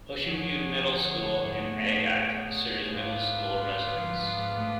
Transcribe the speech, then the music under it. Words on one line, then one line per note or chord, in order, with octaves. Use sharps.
Oceanview Middle School in Agat serves middle school residents.
D3
F2 F3 D4 G#4 C#5 F#5
D2 D3
D2 D3
F#2 F#3
G#2 G#3
A3
B3
A2 A3
G#2 G#3 B3 D4 F4 B4
D3
F3
F#3
G#2 G#3
G#2 G#3
A2 A3